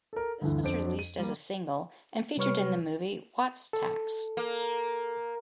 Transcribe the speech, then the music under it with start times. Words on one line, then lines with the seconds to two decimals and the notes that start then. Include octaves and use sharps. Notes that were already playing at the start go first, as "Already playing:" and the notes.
This was released as a single and featured in the movie Wattstax.
0.13 A4 A#4
0.41 D2 G2 D3 E3
0.63 F2 D4 C5 D7
0.99 D#7
1.19 G3 A#3
2.37 C3 G3 B4 C#5 C#6 F6
3.73 A4
4.37 A#3